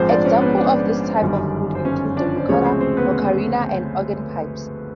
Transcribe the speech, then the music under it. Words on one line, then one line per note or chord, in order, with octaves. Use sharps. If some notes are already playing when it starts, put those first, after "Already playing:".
Examples of this type of flute include the recorder, ocarina, and organ pipes.
Already playing: A#1 G#2 F3 G#3 C4 C5
D4 D5
C#4 C#5
B3 B4
D4 D5
G1 F#2 D#3 G3
C5
C#4 C#5
D4 D5
C5
D2 C#3 F3 G#3 C#4 C#5
C4 C5
C4 C5
B3 B4